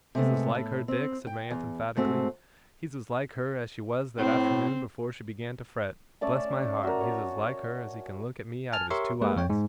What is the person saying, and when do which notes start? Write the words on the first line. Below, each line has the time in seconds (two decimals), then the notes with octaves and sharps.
'He's as like her, Dick,' said my aunt, emphatically, 'he's as like her, as she was that afternoon before she began to fret--bless my heart, he's as like her, as he can look at me out of his two eyes!'
0.15 C3 G#3 A3 B3
0.55 A2
0.88 C4
1.27 G5
1.50 E2
1.97 G#2 A3 C4 F#4
4.18 A2 C4
6.21 A3 C#4 D5 A5
6.83 F#4 A#4
7.01 C#5 A5
8.73 G#5 A5 F6
8.90 G4 A#4 C#5 E5 C6 C#6
9.22 G#3 A#3 G4 B4
9.36 F2 C#5 G5
9.50 G#2